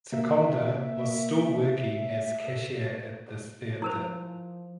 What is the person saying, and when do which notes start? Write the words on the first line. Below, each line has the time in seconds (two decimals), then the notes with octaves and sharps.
Seconda was still working as cashier at this theatre.
0.12 A#3 E5
3.82 F3 E4 A#4 C5